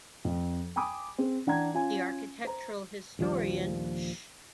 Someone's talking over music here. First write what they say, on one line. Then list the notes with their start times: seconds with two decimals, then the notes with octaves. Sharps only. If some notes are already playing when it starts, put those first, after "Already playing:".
The architectural historian Sh.
0.25 F2
0.76 G5 G#5 B5 D6 D#6
1.18 C4 G#4
1.47 E3 D4 F#5 G5 A#5 G#6
1.73 C#4 F4 G#5
2.45 C5 A#5
3.19 A#1 D#2 F3 G3